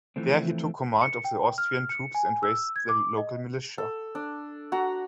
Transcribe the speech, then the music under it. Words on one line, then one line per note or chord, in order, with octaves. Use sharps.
There he took command of the Austrian troops and raised the local militia.
E3 F3 A3 C4
C#7
G5
F6
C#7
G#5
E6
G#6
D6
D#5
A4
D4
F#4 A#5